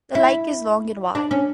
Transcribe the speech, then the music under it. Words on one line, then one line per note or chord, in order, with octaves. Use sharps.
The lake is long and wide.
E4
D4
C#4